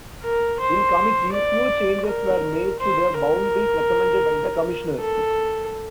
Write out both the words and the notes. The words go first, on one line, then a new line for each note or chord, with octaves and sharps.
In committee few changes were made to the boundaries recommended by the commissioners.
A#4
C5
D5
A#4
C5
A#4
A4